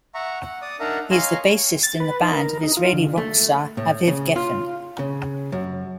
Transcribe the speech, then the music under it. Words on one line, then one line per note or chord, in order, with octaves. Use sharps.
He is the bassist in the band of Israeli rock star Aviv Geffen.
E5 F#5 A#5 C#6
F#5
D5 D#6
D4 D#4 A#4 E5 F#5 A#5
C#5 D#5 F5 G#5 A#5 C6
A6
B4
D#4
A#4
D#4
F4
D3
A3
A2
C#3
F4
C#3
F#2